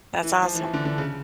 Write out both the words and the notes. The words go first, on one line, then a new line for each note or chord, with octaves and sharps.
That's awesome.
E3
F3
E3
F3
D3
D3
C#3